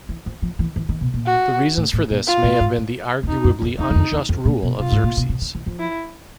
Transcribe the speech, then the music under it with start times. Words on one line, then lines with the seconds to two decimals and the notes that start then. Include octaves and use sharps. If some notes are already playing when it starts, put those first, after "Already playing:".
The reasons for this may have been the arguably unjust rule of Xerxes.
0.09 E3
0.26 F3
0.42 F3
0.59 E3
0.76 E3
0.89 D#3
1.01 B2
1.14 A#2
1.26 F#4
1.77 A2
1.93 A2
2.10 A#2
2.27 F4
2.43 A2
2.60 G#2
2.77 G#2
3.23 E2
3.28 F2 D#4
3.44 F#2
3.62 F2
3.78 F2 D#4
3.90 E2
3.95 F2
4.12 E2
4.29 F2
4.45 A#2
4.62 B2
4.79 C3 F4
4.92 G#2
5.04 A#2
5.17 B2
5.29 C3
5.42 D3
5.55 E3
5.66 F3
5.80 E4